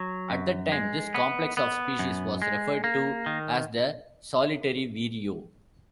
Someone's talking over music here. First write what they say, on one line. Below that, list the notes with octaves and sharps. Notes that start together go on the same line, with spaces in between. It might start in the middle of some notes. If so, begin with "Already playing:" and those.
At that time, this complex of species was referred to as the "solitary vireo".
Already playing: F#3
F#2
G#3
B3
B3
F#2
G#3
A#3
D#3